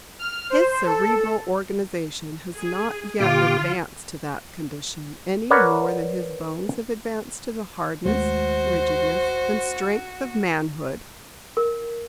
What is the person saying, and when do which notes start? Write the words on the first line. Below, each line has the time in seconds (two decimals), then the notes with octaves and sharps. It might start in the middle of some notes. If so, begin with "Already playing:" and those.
His cerebral organization has not yet advanced to that condition, any more than his bones have advanced to the hardness, rigidness, and strength of manhood.
0.19 F6
0.50 C5
0.86 A4
2.55 G#4
3.20 A#2 D3 F4 G4 D6
5.50 A#4 B4 C#5 D5 F#5
8.05 D#2 G#3 A3 F#4 C5
11.57 A#4